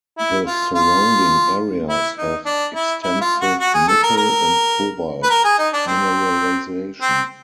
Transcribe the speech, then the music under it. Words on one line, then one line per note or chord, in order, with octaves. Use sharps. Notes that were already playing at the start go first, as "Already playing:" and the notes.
The surrounding areas have extensive nickel and cobalt mineralisation.
E4
F4
F4
E4
D#4
D4
E4
E4
F4
F#4
F#4
G#4
A4
A#4
A#4
B4
A#4
G#4
D#4
D4
C4
C4